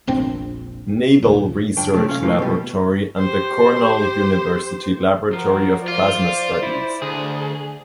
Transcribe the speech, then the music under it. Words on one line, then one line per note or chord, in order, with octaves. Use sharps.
Naval Research Laboratory and the Cornell University Laboratory of Plasma Studies.
F1 A#1 C4 D4
D#1 D2 A#2
C#2 F#2 D4 G5
C3 F#3 A3
C#4 F5
F2 A2 E3 A3 A#3 E4
B2 G3
G4 C5
F3 F#4 A#4
F4 C5 D5
E4
D2 G#4